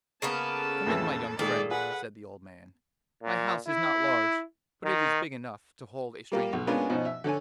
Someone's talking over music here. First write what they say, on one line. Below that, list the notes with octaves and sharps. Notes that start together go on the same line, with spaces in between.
'Come in, my young friend,' said the old man; 'my house is not large, but it is big enough to hold a stranger.'
C#3 A#3 B3 A5
A4
F2 A2 E3
A#2 D#3 G#3 G#4 A4 D5
G#4 B4 F#5
A#2
E4
D#3
G3 A#3 F4 G4
B1
G#3 A#3 B3 C#4 D4 F4
B2 F3 C#4 D#4
E5
D3 A4 C#5 G#5